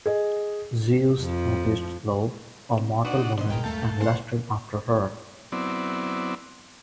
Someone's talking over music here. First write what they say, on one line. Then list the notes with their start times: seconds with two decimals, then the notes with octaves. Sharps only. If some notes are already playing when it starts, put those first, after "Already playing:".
Zeus noticed Io, a mortal woman, and lusted after her.
0.06 G#4 D#5
1.20 F2 F3
2.78 C4
3.05 D4 D#4 F#4 B4 D5 F#5
3.38 D2 B2 D#3 D4 C5 D#5 C6
3.49 G2 G#3 A#4 G5
3.64 D#2 A3 A4 F5 A5 G6
4.00 G2 C#3 A#3 C5 F#5 G#5 C6
5.52 F#3 B3 C4 E4 D5